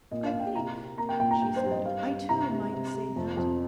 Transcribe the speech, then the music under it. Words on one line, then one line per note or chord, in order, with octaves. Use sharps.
'I think,' she said, 'I too might say that.
A#2 D#5
F5
A#2
G5
C3 A#5
C3
A#3 A#5
G5
A#2 G5
A#5
G2 G5
C5
G2
D#5
G2 F5
G2
C3 A#5
C3
C3
C3
F2
F2